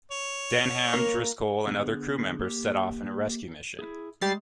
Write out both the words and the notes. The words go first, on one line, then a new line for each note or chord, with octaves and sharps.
Denham, Driscoll, and other crew members set off in a rescue mission.
C#5
A#3 A#4
D3 B3 G#4
A#3 G4
E4 G#4
G3 G#3 A6 C7